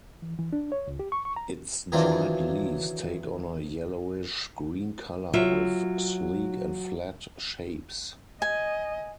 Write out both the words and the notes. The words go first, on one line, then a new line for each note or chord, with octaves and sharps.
Its dried leaves take on a yellowish green colour with sleek and flat shapes.
E3
E3
D4
C#5
C#2
G4
C#6
C#6
A#5
D#3 E3 F#3 C4 D4 F4
F#3 F4 E5
D#5 G#5